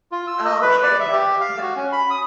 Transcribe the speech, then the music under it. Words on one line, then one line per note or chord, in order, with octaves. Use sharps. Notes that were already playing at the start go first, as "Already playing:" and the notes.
oh okay, gotcha.
F4
E6
D#5
B4
D5
E5
G4
F5
F#4
C#4
B5
D#6